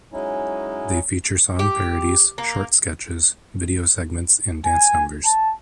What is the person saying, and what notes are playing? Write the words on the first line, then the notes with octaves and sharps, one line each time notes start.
They feature song parodies, short sketches, video segments and dance numbers.
F#3 G#3 C#4 D#4 E4
G4
A#3
G#5
A5